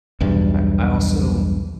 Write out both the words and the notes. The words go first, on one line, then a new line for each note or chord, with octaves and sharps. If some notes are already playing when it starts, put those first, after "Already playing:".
I I also
B1 E2 G2